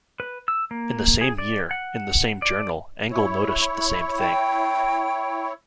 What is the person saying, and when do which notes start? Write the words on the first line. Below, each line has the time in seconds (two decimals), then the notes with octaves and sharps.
In the same year, in the same journal, Engel noticed the same thing.
0.20 B4
0.48 E6
0.71 A#3
1.21 G#4
1.38 D5
1.71 F#5
2.42 D5
3.11 E4 C#5
4.19 G5